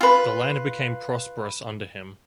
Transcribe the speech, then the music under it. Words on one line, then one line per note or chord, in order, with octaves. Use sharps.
The land became prosperous under him.
F4 B4